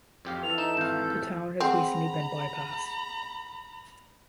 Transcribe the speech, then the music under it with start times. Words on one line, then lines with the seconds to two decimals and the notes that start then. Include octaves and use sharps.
The town has recently been bypassed.
0.25 F2 G4 F5
0.43 E3 A4 F7
0.58 D#4 E7
0.77 G#1 F5 G6
1.60 C4 G#4 F#5 G#5 A#5 B5